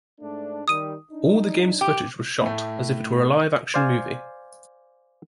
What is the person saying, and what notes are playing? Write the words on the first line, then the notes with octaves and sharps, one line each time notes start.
All the game's footage was shot as if it were a live action movie.
G#2 A3 D4
D#3 G3 D#6 D#7
D4 D#4
G4 G5
A2 A3
C5 D5 F5 G#5